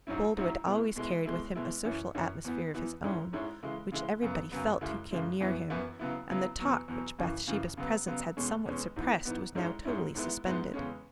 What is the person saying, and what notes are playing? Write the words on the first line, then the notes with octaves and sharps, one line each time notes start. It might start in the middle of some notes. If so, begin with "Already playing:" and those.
Boldwood always carried with him a social atmosphere of his own, which everybody felt who came near him; and the talk, which Bathsheba's presence had somewhat suppressed, was now totally suspended.
G#2 F#3 C#4 E4
G#2 F#3 C#4 E4
B2 G#3 E4
B2 G#3 E4
B2 G#3 E4
B2 G#3 E4
F#2 E3 C#4 E4
F#2 E3 C#4 E4
E2 E3 B3
E2 E3 B3
G#2 G#3 C#4 E4
G#2 G#3 C#4 E4
C#3 E3 G#3 E4
C#3 E3 G#3 E4
F#2 C#3 F#3 B3
F#2 C#3 F#3 B3
F#2 C#3 G#3 E4
F#2 C#3 G#3 E4
F#2 E3 B3 E4
F#2 E3 B3 E4
C#3 F#3 B3 E4
C#3 F#3 B3 E4
E2 B2 F#3
E2 B2 F#3
F#2 C#3 E3
F#2 C#3 E3
C#3 F#3 B3
C#3 F#3 B3
E2 B2 G#3 C#4
E2 B2 G#3 C#4
G#2 E3 B3
G#2 E3 B3
G#2 G#3 C#4 E4
G#2 G#3 C#4 E4
G#2 G#3 B3 E4
G#2 G#3 B3 E4
E2 C#3 G#3 C#4